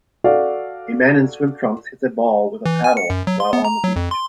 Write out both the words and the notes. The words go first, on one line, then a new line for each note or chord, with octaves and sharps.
A man in swim trunks hits a ball with a paddle, while on the beach.
F#4 A4 D5 F5
E3
G#5
C#7
F#2
F#3
C6
B3
A#5
F#3
F2
C6